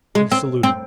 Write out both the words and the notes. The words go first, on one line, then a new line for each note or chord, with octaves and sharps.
He saluted.
G#3
C4
C4